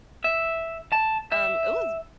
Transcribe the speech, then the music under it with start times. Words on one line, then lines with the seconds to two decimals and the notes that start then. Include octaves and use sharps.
Um, it was
0.24 E5
0.92 A5
1.32 E5